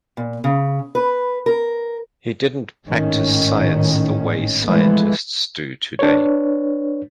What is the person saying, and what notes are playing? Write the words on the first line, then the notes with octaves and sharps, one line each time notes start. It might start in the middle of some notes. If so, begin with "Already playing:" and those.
He didn't practice science the way scientists do today.
A#2
C#3
B4
A#4
G#1 A2 D#3 C#4
E3 F3 G#3 A3 B3
D4 B4 C#5